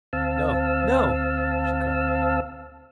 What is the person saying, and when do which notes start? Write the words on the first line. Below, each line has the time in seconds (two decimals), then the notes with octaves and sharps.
"No, no," she cried.
0.13 D2 C4 F5 A5 E6